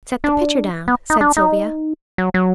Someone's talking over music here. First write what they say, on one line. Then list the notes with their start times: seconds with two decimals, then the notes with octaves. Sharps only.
"Set the pitcher down," said Sylvia.
0.24 D4
0.88 B3
1.10 D#4
1.21 D4
1.37 D#4
2.18 F#3
2.34 F#3